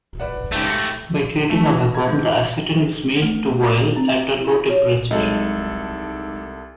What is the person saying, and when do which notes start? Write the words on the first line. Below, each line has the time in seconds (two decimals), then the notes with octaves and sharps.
By creating a vacuum, the acetone is made to boil at a low temperature.
0.20 B4 D5 F#5
0.52 G#2 C#3 A3 G4
0.67 A#6 C#7
1.50 A3
1.65 E3
1.79 D#5
1.95 G#6
2.07 G#2
2.20 E3
3.22 A3
3.96 C4
4.40 E4
4.69 C#5
5.11 C2 F#3 G#3 D#4 A4